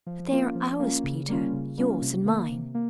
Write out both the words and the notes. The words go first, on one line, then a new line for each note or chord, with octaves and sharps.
'But they are ours, Peter, yours and mine.'
F3
A#3 C#4 F4
F3
A#3 C#4 F4
C#3
G3 A#3 C#4 F4
C#3
G3 A#3 C#4 F4
C3
D#3 A#3
C3
A#3